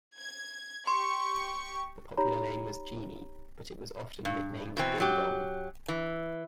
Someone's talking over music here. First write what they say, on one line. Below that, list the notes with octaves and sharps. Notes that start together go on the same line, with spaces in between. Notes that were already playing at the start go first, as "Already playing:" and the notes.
The popular name was "Genie", but it was often nicknamed "Ding-Dong".
G#6
G4 C6 C#6
D#4 G4 C#5 A#5 B5
G2
B2 E3 C4
F#2 F#3 G4
E3